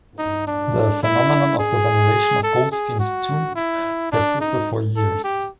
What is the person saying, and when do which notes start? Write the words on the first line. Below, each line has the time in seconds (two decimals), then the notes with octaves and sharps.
The phenomenon of the veneration of Goldstein's tomb persisted for years.
0.18 D#4
0.47 D4
1.03 E4
1.59 G#4
2.43 A4
2.72 G#4
3.00 F#4
3.55 E4
4.12 D4
4.40 D#4
4.96 A4
5.24 G4